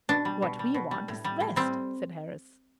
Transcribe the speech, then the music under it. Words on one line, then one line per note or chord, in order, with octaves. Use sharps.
"What we want is rest," said Harris.
B2 D4
G3
B2
G3
B2
G3
A2
G3
A2
G3 C4